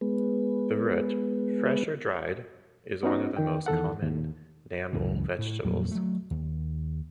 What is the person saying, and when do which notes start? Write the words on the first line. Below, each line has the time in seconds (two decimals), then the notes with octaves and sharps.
The root, fresh or dried, is one of the most common namul vegetables.
0.01 G#3 B3
3.03 B3 C#4 D#4 F#4
3.37 D#3 G5
3.66 E2 D#3 A4 F#5
4.02 D#2
4.93 C#2 F#2 A2 E3
5.39 A2
5.65 F2 A#2 F#3 G3
5.91 F#3 A3
6.31 D#2